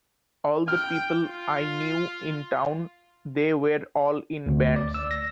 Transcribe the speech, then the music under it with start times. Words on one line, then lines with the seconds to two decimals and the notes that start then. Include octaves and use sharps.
All the people I knew in town, they were all in bands.
0.68 G5 F6
1.23 F4
4.46 D2
4.76 D5
4.94 E6
5.11 A#6